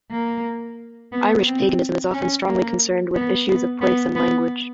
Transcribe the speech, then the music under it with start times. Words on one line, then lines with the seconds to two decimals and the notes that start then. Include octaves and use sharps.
Irish Paganism is often strongly concerned with issues of place and language.
0.11 A#3
1.12 B3
1.46 C4
2.13 C#4
2.47 A#3
3.14 B3
3.48 B3
3.81 B3
4.15 B3